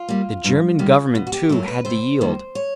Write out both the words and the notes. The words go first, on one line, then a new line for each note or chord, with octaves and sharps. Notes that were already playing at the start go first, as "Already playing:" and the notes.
The German Government, too, had to yield.
Already playing: F4
G3 A#3
G2
D#3 G3 A#3
B2
F#4
G4
F#3 A3 A#4
B4
C3 C5
D#3 G3 A#3
C#5